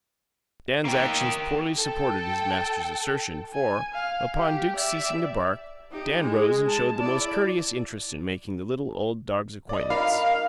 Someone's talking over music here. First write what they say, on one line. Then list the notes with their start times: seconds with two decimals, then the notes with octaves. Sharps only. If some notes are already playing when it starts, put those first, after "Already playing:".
Dan's actions poorly supported his master's assertion, for, upon Duke's ceasing to bark, Dan rose and showed the most courteous interest in making the little, old dog's acquaintance.
0.85 A#3 G5
1.78 A4 G5
3.54 G#5
3.94 F5
4.36 G4
4.76 D5 E5
5.92 D#4 G4
6.21 G#3
6.68 A5
7.00 E4 D5
9.69 D5 D#5
9.90 D#4 A#4 F5 B5
10.25 F6